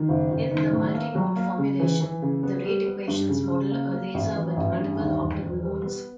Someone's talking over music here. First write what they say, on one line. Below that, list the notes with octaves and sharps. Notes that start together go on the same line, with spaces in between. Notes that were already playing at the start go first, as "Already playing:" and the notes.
In the multimode formulation, the rate equations model a laser with multiple optical modes.
Already playing: D#3
F#1
F#1
D#3
A2
A#3
F#3
A#3
C#3
E3
E3
C#3
B3
G3
B3
G2
C#3
C#3
A#3
A#3
A1
E3
A1
G2
D#2
E1
E1
G3
B3